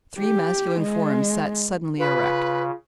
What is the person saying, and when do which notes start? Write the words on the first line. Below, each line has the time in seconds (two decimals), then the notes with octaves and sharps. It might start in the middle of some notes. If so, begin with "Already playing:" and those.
Three masculine forms sat suddenly erect.
0.20 G4
0.80 G#3
1.99 C#3 F4 B4